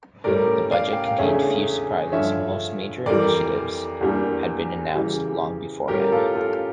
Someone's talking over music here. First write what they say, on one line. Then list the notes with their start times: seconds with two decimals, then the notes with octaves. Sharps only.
The budget contained few surprises: most major initiatives had been announced long beforehand.
0.24 A2 G3 C#4 A#4 D5
0.72 D5 F5
0.93 G5
1.06 F5
1.18 E2 C#3 E3 A3 D4 C#5 E5
2.12 G2 D3 F3 C#5 E5
3.06 F2 E3 G3 A#4 D5
4.01 E2 E3 G3 A#3 D4
4.95 C#3 E3 G3
5.88 A2 G3 C#4 G4 A#4
6.12 F4 A4
6.35 F4 A4